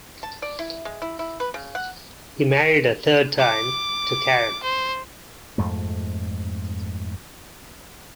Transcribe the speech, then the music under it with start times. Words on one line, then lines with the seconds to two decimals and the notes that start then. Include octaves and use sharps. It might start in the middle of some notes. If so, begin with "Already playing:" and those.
He married a third time, to Karen.
0.23 A5
0.42 D5
0.59 E4
0.85 G#3
1.02 E4
1.19 E4
1.40 B4
1.54 C#3
1.75 F#5
3.38 D6
4.63 C5
5.58 F2 G#2 A3